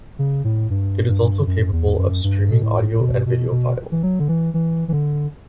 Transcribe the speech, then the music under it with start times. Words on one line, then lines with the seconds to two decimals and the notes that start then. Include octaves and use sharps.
It is also capable of streaming audio and video files.
0.19 C#3
0.44 A2
0.70 G2
1.09 G2
1.47 F#2
1.73 E2
1.98 F#2
2.24 G2
2.51 B2
2.62 A2
3.00 B2
3.26 B2
3.51 B2
3.92 E3
4.03 F#3
4.19 D3
4.28 E3
4.54 E3
4.88 E3
4.93 D3